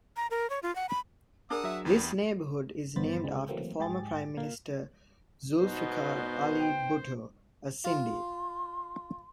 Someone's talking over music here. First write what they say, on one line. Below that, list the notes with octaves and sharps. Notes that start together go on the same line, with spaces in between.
This neighbourhood is named after former Prime Minister Zulfikar Ali Bhutto, a Sindhi.
A#5
A#4
C#5
F4
F#5
B5
D4 G#4 A#4 F#5 D#6 E6
F#3 E5
E2 B3 G4
G1 E2 B3 C5 B5 A6
C#2 G#3 C4
E3 F#3 A3 A#3 C4
G#2 G4 G#4 A6
A#2 A#3 F5
B2 B3 D#4 C5
G5
F4 C6